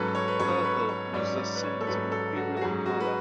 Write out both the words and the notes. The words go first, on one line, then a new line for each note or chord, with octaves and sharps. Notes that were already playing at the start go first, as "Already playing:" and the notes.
Purple was thus seen as an imperial colour.
Already playing: G#2 F#3 C#4 A4 B4
C#5
B4
G#2 F#3 C#4 C#5
B4
C#5
G#2 F#3 C#4 D5
D5
B4
C#5
A4
G#2 F#3 C#4 B4
A4
F#4
F#4
G#2 F#3 C#4 G#4
F#4
B4